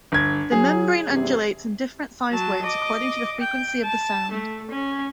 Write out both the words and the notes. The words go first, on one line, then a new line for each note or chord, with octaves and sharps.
The membrane undulates in different sized waves according to the frequency of the sound.
G1 G#6
F#3 G#4
E2 G2 C3
F#3 A5
D#5 D6
G5
A5
A3
C#4